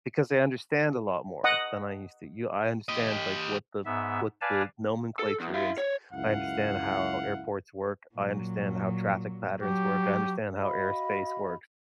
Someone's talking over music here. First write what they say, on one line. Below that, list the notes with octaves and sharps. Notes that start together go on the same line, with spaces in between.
because I understand a lot more than I used to. Y I understand, like, what the what the nomenclature is. I understand how airports work, I understand how traffic patterns work, I understand how airspace works,
D#5 F#5 D#6
G4 D#5
G#2 B3 E5
B4 D5 F5 G#5 A5
A4
E2
E4 F5
C#5
C#2 F#2 E4 F5 F#5
A#2 F#3
F#3 G4
F#4 D#5 F5 B5